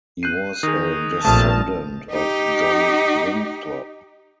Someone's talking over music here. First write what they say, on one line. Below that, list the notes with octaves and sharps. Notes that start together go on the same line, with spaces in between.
He was a descendant of John Winthrop.
F#6 G6 C7 D#7
D#3 G#4 D#6 A#6
A#1 C3 A3 A5 D#6 F6
D#4 G4